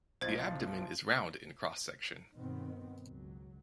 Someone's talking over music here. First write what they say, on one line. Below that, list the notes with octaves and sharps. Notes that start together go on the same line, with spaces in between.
The abdomen is round in cross section.
B1 F3 C5 D#5 G#6 A6
G2 B2 D#3 B3 C4
C#2 F#3